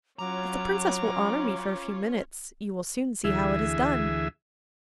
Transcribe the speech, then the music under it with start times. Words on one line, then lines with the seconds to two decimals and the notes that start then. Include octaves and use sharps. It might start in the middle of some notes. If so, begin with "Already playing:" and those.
If the princess will honour me for a few minutes, you will soon see how it is done.'
0.19 F#3 C#4 F4 C#5 A#5 D6
3.24 D2 E3 G#4 E5